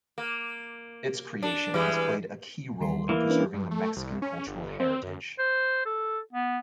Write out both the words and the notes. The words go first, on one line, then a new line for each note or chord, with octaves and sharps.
Its creation has played a key role in preserving the Mexican cultural heritage.
A#3
D4
E3 G3 G#3
D#2 G3 C6
E3 A#3
C#4 D4 B4
G2
A3
C2
C#4
G1
C4
F#2
C5
A4
B3